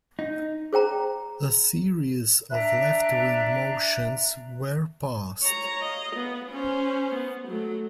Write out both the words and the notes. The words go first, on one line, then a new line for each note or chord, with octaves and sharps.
A series of left-wing motions were passed.
D#4
G#4 C5 G5 A#5
D4 E5 A#5 F#6
C#5 A#5
D#5 F5
B3
C#4 C5
B3
F#3 A3